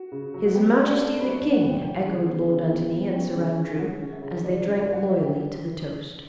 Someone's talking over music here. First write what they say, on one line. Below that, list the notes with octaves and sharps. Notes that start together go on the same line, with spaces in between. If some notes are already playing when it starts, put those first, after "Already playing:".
"His Majesty the King!" echoed Lord Antony and Sir Andrew as they drank loyally to the toast.
Already playing: F#4
C#3
F#3
F#4
B3 G4
G4
D4
G4
D4
A4
F#3 B4
C#5
D5
B3
F#5
F#3 G5
E3 G5
C#3
B3
C#3
B3
B3
C#4 G5
C#3
C#4
C#3 F#5
C#4
E5
C#3
E3 D5
C#3 D5
D5
G3
F#5
G3 E5
G5